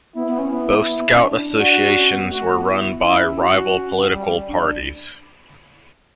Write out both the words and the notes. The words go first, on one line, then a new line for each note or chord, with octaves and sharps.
Both Scout associations were run by rival political parties.
B3 E4
B3
C#4
B3 E4
B3
B3
B3
C#4
D4
F#4
C#4
B3
B3
A3 F#4
B3
E4
C#4 E4
F#4
G3
D4